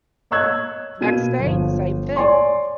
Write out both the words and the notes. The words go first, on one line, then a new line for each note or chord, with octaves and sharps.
Next day, same thing.
C#5 D#5 C#6 E6 F#6 G#6
B2 A#3 G#6 D#7
G1 F3
C#5 D5 G#5 C6 C#6